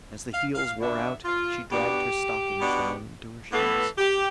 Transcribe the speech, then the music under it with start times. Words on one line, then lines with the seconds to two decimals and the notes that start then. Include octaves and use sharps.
As the heels wore out, she dragged her stockings down into her shoes.
0.34 F5
0.55 F5
0.80 B2 B3 D4 E5
1.25 F4
1.71 B2 B3 D4 G4
2.62 B2 B3 D4
3.52 A2 E3 B3 A4
3.98 G4